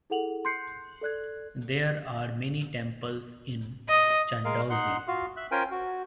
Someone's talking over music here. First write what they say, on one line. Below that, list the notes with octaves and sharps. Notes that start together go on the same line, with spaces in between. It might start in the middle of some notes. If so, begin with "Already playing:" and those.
There are many temples in Chandausi.
E4 G#4 A4 F#5 F7 F#7
C6 F#6 G6 C7 C#7
A4 D5 F#6 G#6
D#5
G#3 A#4 F5
D#4 F#5 C6 F#6
F4 F#4 F5
E5 F#6
C#4 F4 A#4 C5 G5 G#5
F#4